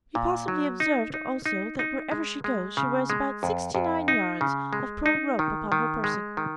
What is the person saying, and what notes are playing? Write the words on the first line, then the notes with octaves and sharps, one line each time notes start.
"You possibly observed also that wherever she goes she wears about sixty-nine yards of pearl rope upon her person."
A#2
F#3
D#4
D#4
D#4
D#4
G#3
G#3
C#3
G#3
F2
F2
D#4
C#3
G#3
D#4
D#3
D#3
G#3
D#3